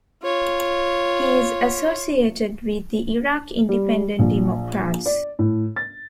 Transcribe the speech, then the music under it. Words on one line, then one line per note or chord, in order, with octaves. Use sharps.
He is associated with the Iraqi Independent Democrats.
F4 C#5
G3
A#1
D5
A2
A6